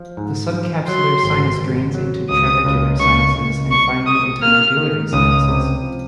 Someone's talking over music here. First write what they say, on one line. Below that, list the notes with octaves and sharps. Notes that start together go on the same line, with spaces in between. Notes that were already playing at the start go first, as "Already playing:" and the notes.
The subcapsular sinus drains into trabecular sinuses and finally into medullary sinuses.
Already playing: F3
G#2
F3
F#3 C6
G#1
G#1
F#3
C#2 D#6
C#2
C#2 C#6
C#2
C2 C#6
C3 D#6
A#3 F6
D#3
C#2 D#6
C3
F3